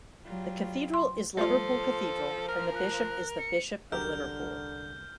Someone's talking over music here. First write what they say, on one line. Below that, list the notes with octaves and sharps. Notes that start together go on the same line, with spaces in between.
The cathedral is Liverpool Cathedral and the bishop is the Bishop of Liverpool.
F#3 G3 F4
C6
F3 G3 A3 F4 A4 C6
A#4 F6
F#6
C#7
C2 D3 F#3 G4 A#4 F6 G6